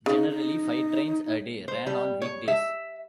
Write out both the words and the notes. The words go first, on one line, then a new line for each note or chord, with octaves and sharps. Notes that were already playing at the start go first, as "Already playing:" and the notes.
Generally five trains a day ran on weekdays.
C#3 D#4
D#4
C5
G3
C#5
E5